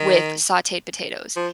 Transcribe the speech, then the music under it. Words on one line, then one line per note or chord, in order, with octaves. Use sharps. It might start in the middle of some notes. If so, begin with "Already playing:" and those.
with sauteed potatoes,
Already playing: D#3
F3